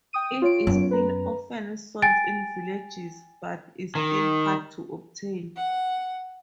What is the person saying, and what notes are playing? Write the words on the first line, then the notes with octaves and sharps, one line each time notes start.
It is still often sold in villages, but is still hard to obtain.
G5 D#6 D#7
F4 C#5 D7
F#2 B3
B4 A#5
G5 G#5 A6 D7
D#3
F#5